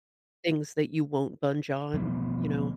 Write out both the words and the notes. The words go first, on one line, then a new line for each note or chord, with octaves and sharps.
things that you won't budge on, you know?
F3 G3 B3